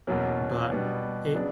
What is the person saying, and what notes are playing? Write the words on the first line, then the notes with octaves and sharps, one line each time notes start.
But it
E2 B2 F#3 A#3 C#4
B2 G3 B3 D4
C#3 F#3 B3 D4